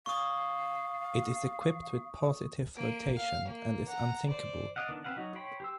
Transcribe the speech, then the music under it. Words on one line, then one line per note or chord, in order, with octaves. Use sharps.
It is equipped with positive flotation and is unsinkable.
F5 C#6 D#6
A#3 D7
F5
A#3
F#5 A#5
C5 D5
D5 D#5 F5 F#5
D#3 B3 D4
C4 B4 F5 F#5
F#3 D#4 F#4
C5 C#5 G5 B5
G4 C5 E6